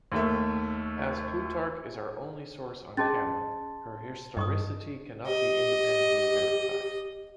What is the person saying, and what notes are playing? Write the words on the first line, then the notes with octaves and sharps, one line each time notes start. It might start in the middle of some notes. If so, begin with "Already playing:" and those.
As Plutarch is our only source on Camma, her historicity cannot be independently verified.
D#2 D#3 A3 E5
C#4 G#4 D#5 A5 C6 A6
G2 D#5 C#6 D#6
G4 D#5